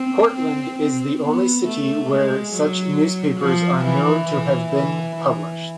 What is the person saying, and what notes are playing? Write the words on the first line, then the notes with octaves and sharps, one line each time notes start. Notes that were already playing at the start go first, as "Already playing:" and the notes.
Portland is the only city where such newspapers are known to have been published.
Already playing: C4
C4
C4
B3
A3
G#3
F#3
F3
E3
E3
E3
E3